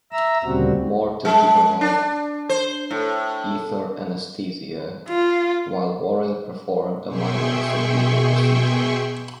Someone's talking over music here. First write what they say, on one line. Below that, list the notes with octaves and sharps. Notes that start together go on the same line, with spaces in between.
Morton to provide ether anesthesia while Warren performed a minor surgical procedure.
E5 A#5 E6
D2 A#2 C#3 G3 C4 F#4
G#3
D4
C5
A2
F4
B2 G#4 E5 G5 C6 C#6